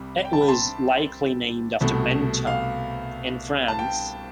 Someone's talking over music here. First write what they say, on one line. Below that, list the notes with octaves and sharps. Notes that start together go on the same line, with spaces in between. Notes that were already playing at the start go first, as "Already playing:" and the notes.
It was likely named after Menton, in France.
Already playing: C2 C3 G3
G5
A5
B5
A5 C6
C2 B2 A3
F5
A5
G5